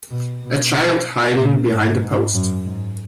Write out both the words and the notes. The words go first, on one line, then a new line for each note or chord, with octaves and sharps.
A child hiding behind a post.
B2
B2
A#2
G#2
G#2
F#2
G#2